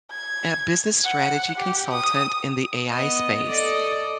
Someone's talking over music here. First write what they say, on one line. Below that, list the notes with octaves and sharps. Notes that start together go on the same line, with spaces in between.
a business strategy consultant in the AI space,
G#6
F#5
G4
D#6
B3 D#5
A4 D5 D#5